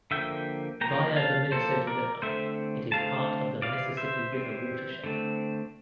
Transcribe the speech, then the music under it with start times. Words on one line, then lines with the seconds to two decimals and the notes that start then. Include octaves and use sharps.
Via the Minnesota River, it is part of the Mississippi River watershed.
0.11 D3 F3 A#3 E5 G5
0.81 F3 A#3 G5 A#5
1.16 F5 A5
1.52 F3 A#3 A4 C5
1.87 A#4 D5
2.22 D3 A3 C4 C5 E5
2.92 D3 A3 C4 F5 A5
3.62 E3 G3 C4 D5 F5
3.97 C5 E5
4.33 E3 G3 C4
5.04 D3 A3 C4